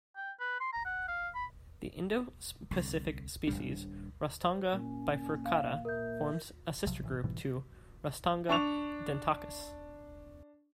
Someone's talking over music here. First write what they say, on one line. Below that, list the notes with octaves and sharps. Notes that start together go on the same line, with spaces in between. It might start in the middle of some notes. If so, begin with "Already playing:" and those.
The Indo-Pacific species "Rostanga bifurcata" forms a sister group to "Rostanga dentacus".
G5
B4
C6
A#5
F#5
F5
B5
C2 D3
D#1 G2 G3 D4
C5
A#2 C#4
F5
A#4 E5 G6
B1 C3 F3 F#3
A#1 A2 E3
G#2 B2 E3 G3
D4 C#6 F7